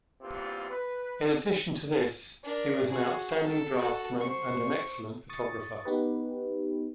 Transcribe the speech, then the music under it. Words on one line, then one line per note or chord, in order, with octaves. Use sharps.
In addition to this, he was an outstanding draftsman and an excellent photographer.
E2 G2 C3 A#3 C4 F4
B4
D4 A#4
F#4 G#4
A4
F#4 A4
C5 C#6
C#6 D#6 A6
B3 D#4 G4 B4